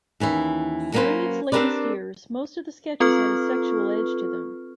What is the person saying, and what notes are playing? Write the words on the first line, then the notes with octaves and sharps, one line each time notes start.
During its latest years, most of the sketches had a sexual edge to them.
D#2 E3 C#4 E4
F#3 A#3 C#4 F#4 B4 C5
C4 D4 G4 A#4 B4 D5
C4 F4 A4 B4 C#6 F6